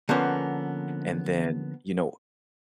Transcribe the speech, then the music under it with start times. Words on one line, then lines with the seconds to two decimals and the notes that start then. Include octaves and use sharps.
And then, you know,
0.09 D3 F3 A#3 B3 C#4